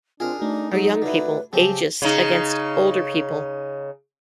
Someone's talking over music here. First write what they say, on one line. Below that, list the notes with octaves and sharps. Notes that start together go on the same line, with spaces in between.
are young people ageist against older people?
C4 D4 F4 G#4 A#4 D#5
A3 D4 D#4 F#4
F#3 D#4 G#4
D3 E4 B4
C#3 F#3 C4 G4 C5 A5
C#3 D#4